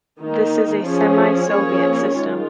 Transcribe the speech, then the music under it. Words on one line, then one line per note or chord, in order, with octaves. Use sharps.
This is a semi-Soviet system.
D#3 A#3 D#4
F3 C#4 G#4
F3 A#3 C#4 G#4 C#5
D#3 G#3 F4